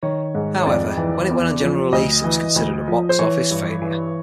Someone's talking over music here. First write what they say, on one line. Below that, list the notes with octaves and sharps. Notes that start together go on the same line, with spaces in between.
However, when it went on general release it was considered a box office failure.
D#3 C#5
G#2
C#5
F2 D5
E3
E2
F3
D2 D#5
E3
D2
F3
C5
E3 C#5
G2
E3